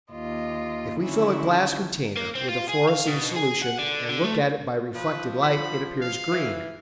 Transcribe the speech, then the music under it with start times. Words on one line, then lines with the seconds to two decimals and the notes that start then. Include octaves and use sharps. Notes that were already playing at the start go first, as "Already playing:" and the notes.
If we fill a glass container with a fluorescein solution and look at it by reflected light it appears green.
0.11 D#2 F4 D#5
0.99 D3 D#3 F#3 C#4 E4
2.17 A#3
2.35 C4
2.49 F4
2.69 G#4
2.89 F5
3.07 B2
3.36 G#4
3.62 F#5
3.79 D3
4.10 D3
4.24 A3
4.95 F3 B4
5.43 B5
6.02 F5
6.31 E3